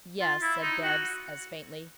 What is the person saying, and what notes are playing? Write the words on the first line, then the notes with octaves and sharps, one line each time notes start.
"Yes," said Bibbs, as faintly.
F4
E4
D#4
F#4